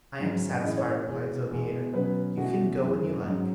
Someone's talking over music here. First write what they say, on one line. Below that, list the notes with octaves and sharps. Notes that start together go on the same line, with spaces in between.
"I am satisfied," replied Zobeida; "you can go when you like."
G#2 F#3 C#4
A2 E3 G#3 C#4 D#5
C#5
C#5
E2 B2 G#3
E2 B2 G#3 B3
B2 F#3 C#4 B4
E2 B2 A3 C#4 F#4
F#2 E3 G#3
G#2 F#3 C#4 D#4